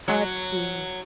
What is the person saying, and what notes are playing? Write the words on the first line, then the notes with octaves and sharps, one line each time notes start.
Hart's Theory.
F#3